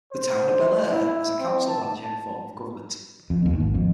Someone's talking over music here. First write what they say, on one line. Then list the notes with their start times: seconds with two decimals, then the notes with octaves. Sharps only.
The Town of Belleair has a Council-Manager form of government.
0.12 C5
0.91 E4
1.38 C4
1.68 A5
3.30 F2
3.46 D#2
3.60 G#1
3.74 F2